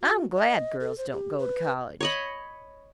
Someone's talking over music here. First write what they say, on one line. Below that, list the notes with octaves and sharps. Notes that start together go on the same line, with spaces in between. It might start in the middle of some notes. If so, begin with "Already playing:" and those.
"I'm glad girls don't go to College."
F#4
D#5
A4
C5
G4
B4
C#5 D#5 B5